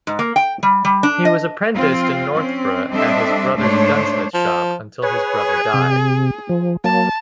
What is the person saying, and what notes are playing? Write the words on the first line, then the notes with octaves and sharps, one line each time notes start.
He was apprenticed in Northborough at his brother's gunsmith shop until his brother died.
G#2
A#3
G5
G3
G3
D4
D#5
F3 C4 F4
C4 C#4
G3 C4 D4 A4 D#5 E5
G#2 A3 D4 C5 C#5
F3
G#4 B4 C#5
C3
F3
F#3 A#3 A5